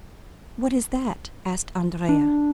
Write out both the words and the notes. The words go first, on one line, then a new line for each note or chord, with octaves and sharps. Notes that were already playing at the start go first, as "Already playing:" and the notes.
"What is that?" asked Andrea.
D4